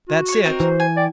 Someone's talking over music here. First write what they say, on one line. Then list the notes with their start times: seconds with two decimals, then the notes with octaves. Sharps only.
"That's it."
0.09 F#4
0.28 C#5 C#6
0.45 C4 D#4 A#4
0.60 E3 C5
0.80 G#5
0.97 D5 G5